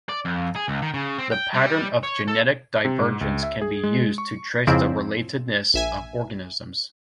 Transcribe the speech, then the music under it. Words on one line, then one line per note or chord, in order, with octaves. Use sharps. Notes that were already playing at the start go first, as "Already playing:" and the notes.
The pattern of genetic divergence can be used to trace the relatedness of organisms.
D5
F2
G#4
C#2
D#3
C#3
C4
G5
G3
C#5
A4
C3
G#2
C#2
E5
G#4
G#3
C#6
F2 G#2 C#3 F3 C4 E4
A#1 E5 G#5